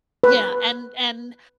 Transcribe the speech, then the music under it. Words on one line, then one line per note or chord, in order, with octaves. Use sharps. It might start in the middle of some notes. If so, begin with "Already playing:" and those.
Yeah, and and,
B4